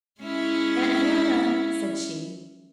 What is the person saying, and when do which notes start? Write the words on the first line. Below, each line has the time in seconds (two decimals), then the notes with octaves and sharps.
"Aunt Hannah?" said she.
0.21 G#3 C#4 E4